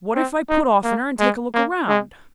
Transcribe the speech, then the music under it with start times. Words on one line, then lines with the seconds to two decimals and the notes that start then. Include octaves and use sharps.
'What if I put off in her and take a look round?
0.15 C4
0.49 D#4
0.84 A#3
1.19 G#3
1.54 A#3
1.88 G#3